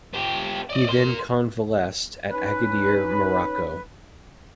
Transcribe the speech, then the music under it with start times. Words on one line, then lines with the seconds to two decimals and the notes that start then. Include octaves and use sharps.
He then convalesced at Agadir, Morocco.
0.14 B3 G4
0.70 D5 D#5
0.88 A#4 C6
2.31 C#4 D#4 B4